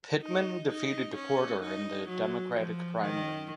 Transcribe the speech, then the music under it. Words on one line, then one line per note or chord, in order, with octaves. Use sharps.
Pittman defeated Porter in the Democratic primary.
D#4
D#4
C#4
D#4
F#3
F3
D#3